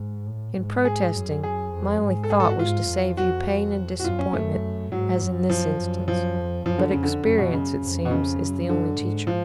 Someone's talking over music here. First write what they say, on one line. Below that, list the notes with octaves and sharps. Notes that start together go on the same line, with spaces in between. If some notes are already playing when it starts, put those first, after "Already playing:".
In protesting, my only thought was to save you pain and disappointment--as in this instance--but experience, it seems, is the only teacher.
Already playing: G#2
A2
G#2
G#4
F#2
G#4
F2
G#2
A4
G#4
A4
F#4
G#2 F4
F2
F#4
F#4
F#2 F4
C#4
F#2 A3
G#2 F#3
F#2
F3
F#2
F3
F2
F#2 F3
D3
F2 C#3
D3
F#2 C#3
B2
C#3
F2
B2
C#3
F#2
D3
G#2
F3